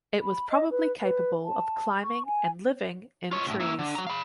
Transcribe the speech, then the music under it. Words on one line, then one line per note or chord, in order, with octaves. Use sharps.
It was probably capable of climbing and living in trees.
B5
D#5
B4
B4
A5
C#6
G#5
F4 C#5
D2 A2
A#3 E4
D3
F#3 A#5
F5 B5